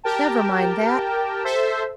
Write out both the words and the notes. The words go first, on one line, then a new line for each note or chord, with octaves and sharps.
'Never mind that.
G4 A#4 G5 A5
A4 C5 E5